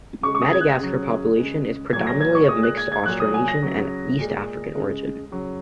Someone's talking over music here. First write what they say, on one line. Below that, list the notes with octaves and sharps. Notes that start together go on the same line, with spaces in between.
Madagascar's population is predominantly of mixed Austronesian and East African origin.
C#3 G#3 C#6
C#6
D#6
G#6
F#6
C#3 F#3
C#3 G#3
A#2 F#3 G#6
A#6
G#6
C#6
A#2 G#3 D#6
F#6
G#6
G#6
A#2 F#3 F#6
D#6
G#5
A#6
C#3 F#3
A#2 G#3
C#3 G#3
C#3 F#3